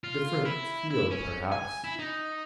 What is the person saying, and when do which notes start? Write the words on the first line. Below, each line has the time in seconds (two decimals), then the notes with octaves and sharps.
Different feel perhaps.
0.04 F4
0.45 E4
0.91 E4
1.11 C#4
1.52 G#5
1.84 E4
1.99 D#4